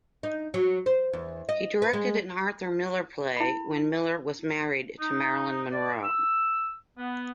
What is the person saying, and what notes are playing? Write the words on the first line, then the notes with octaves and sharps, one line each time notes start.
He directed an Arthur Miller play when Miller was married to Marilyn Monroe.
D#4
F#3
C5
E2
D#5
B4
G#3
E4 B5
D#4
D5
E6
B3